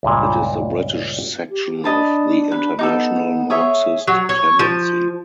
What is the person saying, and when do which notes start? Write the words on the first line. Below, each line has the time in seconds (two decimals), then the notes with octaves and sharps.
It is the British section of the International Marxist Tendency.
0.03 C#2 G2 A#2
1.50 G4
1.84 D4 D#5 A5 B5
2.51 B4
2.79 B3 D#4 G4 A4
3.50 G#4 C#5 E5
4.08 F#3
4.29 C#5
4.59 F3